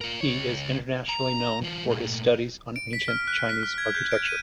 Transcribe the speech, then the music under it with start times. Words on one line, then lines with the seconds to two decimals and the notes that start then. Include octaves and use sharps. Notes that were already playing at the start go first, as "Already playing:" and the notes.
He is internationally known for his studies on ancient Chinese architecture.
0.01 F4 A#4
0.21 C#2 C#5
1.09 A#5
1.62 E3 F4
1.86 A#2 A3
2.76 D7
2.93 B6
3.08 F6
3.28 F#6
3.49 B6
3.63 F6
3.78 G#6
3.95 G6
4.11 D7
4.26 D#7